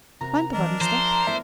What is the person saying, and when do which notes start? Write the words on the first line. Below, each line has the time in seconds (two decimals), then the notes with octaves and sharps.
Mind the bottom step.
0.21 C3 F#4 A#4 A#5
0.53 E3 C4 D4 A#4 D#5
0.81 F3 C5 E5 A#5
1.27 A3 B3 E4 E5